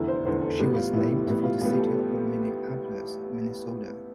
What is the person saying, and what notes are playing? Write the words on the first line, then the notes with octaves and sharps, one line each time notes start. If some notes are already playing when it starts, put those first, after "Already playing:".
She was named for the city of Minneapolis, Minnesota.
Already playing: F1 E2 D3 E4
C5
F1 E2 D3 C5
A4
A1 A2 G3 B3 G4
F4
A1 A2 G3 B3 E4
A1 A2 G3 B3 E4
F4
A1 A2 G3 B3 F4
G4
A4